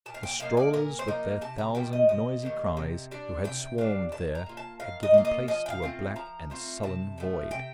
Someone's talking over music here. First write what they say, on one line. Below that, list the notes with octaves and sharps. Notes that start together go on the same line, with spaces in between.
The strollers, with their thousand noisy cries, who had swarmed there, had given place to a black and sullen void.
A#2 A5
F5
G5
F3 A#3 D#4 F5
D5
A#2 A#4
C5
F3 A#3 D#4 A#4
C3 A5
A#5
D#3 G3 G5
D#5
C3 D#5
D#3 G3 A#3
C3
G3 D4
C3 G5
G3 D4 F5
D#3 A5
A#5
A#3 F4
A5
D#3 F5
D#5
A#3 F4
D#5
F3 D#5
G5
F5
A3 C4 F4
F3 A#5
A3 C4 F4
C3 A5
F3 A3
C3 G5